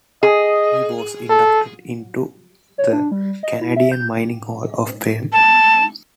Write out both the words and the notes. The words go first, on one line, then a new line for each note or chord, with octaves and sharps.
He was inducted into the Canadian Mining Hall of Fame.
G#4 D#5
A4
C#5
D4
G3
D#5
E4
E5
G6
A5